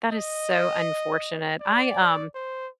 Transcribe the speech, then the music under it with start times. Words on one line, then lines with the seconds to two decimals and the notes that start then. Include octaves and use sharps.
That is so unfortunate. I, um,
0.12 D#5
1.60 D5
2.35 C5